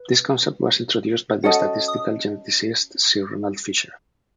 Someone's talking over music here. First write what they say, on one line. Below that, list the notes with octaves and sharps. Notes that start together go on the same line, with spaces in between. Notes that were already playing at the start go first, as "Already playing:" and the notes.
This concept was introduced by the statistical geneticist Sir Ronald Fisher.
Already playing: B4
C#4 F#4 A4 D#5 F#5
D#6